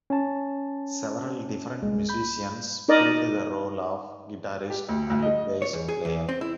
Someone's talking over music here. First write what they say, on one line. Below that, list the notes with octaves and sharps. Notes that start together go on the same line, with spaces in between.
Several different musicians filled the role of guitarist and bass player.
C#4 A5
C2 G#3
B5 G6
D#4 A#4 D5 D#5
G4
D2
D2
D#5
C#5
E2
G#4
E2
C4
E4